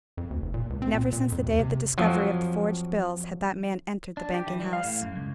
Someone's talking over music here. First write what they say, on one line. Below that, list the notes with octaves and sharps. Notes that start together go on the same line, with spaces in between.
Never since the day of the discovery of the forged bills had that man entered the banking-house.
F2
D2
F1
A#2
C#2
C4
A#2
A#2
F2
D#2
C3
F2 F3 F#3
D4
G4
E3
G3
F5
A2
F#2
C#2